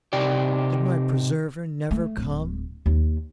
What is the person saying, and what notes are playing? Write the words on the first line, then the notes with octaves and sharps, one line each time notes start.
Did my preserver never come?'
C3 D#4 G4 D5
A3
D1
D#2